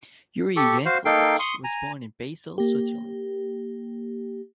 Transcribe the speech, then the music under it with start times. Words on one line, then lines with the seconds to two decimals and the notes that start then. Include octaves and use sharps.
Yuri Yankelevich was born in Basel, Switzerland.
0.56 G4 A4 C#6
0.85 F#4 C5 F5
1.05 A#3 D#4 A4 F5 G5
1.39 C6 C#6 D#6
1.64 G#5 A#5
2.58 A#3 G4